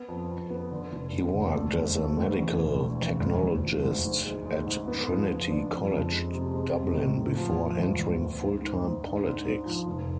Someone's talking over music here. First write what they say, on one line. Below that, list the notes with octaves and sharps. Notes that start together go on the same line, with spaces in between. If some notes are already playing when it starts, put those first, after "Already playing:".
He worked as a Medical Technologist at Trinity College, Dublin before entering full-time politics.
Already playing: B3
F2
F2
B3
D3
F1
F1
D3
A3
D2
A3
D2
E2
E1
E2
E2
D2
D2
F3
D2
G#2
G#3
G#3
G#2
B3
F3
F3
D4
F2
F2
G#3
C3
G#3
G#3
A2
A2
F3
F3
D2
D2
B3
G#2
G#2
G#2
D4
G#2
G#2
F3
F1